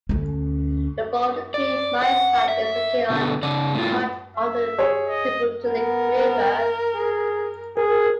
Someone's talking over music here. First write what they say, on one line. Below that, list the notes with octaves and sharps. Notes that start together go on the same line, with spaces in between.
The Boulder Creek mine site is located on part of the Tubutulik River.
D2 C#4
D5
F#5
E5
B2 D3
C#3 D5
A2 F4
E5
G#4 C#5
D#5
B3 A#4
G#4
G#4 A#4